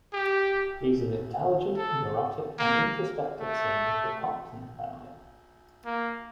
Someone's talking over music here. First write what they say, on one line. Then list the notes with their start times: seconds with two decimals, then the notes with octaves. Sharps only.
He is an intelligent, neurotic, and introspective son of the Compson Family.
0.13 G4
1.76 A4
2.59 A#3
3.40 A3
5.85 A#3